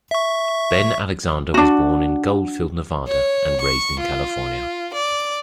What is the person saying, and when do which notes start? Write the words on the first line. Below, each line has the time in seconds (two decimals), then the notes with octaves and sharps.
Ben Alexander was born in Goldfield, Nevada, and raised in California.
0.11 E5 C#6
1.54 D4 F#4
3.07 C#5
3.61 C#6
4.00 F4
4.93 D5